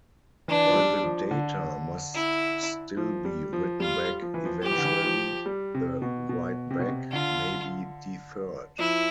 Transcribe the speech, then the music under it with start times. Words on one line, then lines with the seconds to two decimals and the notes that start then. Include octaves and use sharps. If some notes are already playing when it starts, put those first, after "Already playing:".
While the data must still be written back eventually, the write-back may be deferred.
0.48 E3 D4
0.69 F3
0.75 G3
1.03 F3
1.31 D3
2.15 E4
2.97 F3
3.25 G3
3.53 F3
3.80 G3 F4
4.22 F3
4.34 E3
4.45 F3
4.63 F3 G4
4.71 E3
4.78 D3
4.85 E3
5.05 F3
5.46 G3
5.74 C3
6.02 B2
6.29 B2
6.71 C3
6.79 B2
6.88 C3
7.12 D3 F4
8.79 F3 E4